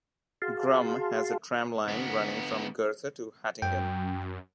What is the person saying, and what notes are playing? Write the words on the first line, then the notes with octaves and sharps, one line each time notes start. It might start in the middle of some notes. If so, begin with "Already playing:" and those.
Grumme has a tram line running from Gerthe to Hattingen.
F#4 G#4 F5 A5 C6
D3 B3
F#2 G5